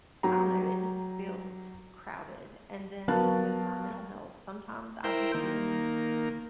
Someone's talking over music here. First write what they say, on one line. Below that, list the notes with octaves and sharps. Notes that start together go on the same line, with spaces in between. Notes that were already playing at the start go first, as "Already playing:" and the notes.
I don't know. It just feels crowded, and then with my mental health, sometimes I just need
F#3 G4 A#5
F#3 B3 A#4 F5 A5 F#6
E4 A#4 C5 G5
D#3 A#3